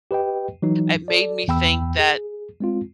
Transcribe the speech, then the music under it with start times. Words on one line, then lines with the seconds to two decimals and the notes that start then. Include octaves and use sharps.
It made me think that,
0.11 G4 B4 D#5 G5
0.62 E3 F#3 D#4
1.08 A4 D5
1.48 E2 G5 B5 E6
1.99 G#4
2.60 G#3 C4 F4